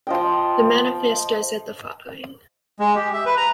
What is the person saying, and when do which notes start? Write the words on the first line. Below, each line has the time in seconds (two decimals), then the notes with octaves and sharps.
The manifesto said the following.
0.07 F3 D#5 G5
2.80 G#3
2.96 G4
3.14 E5
3.26 B4
3.37 A#5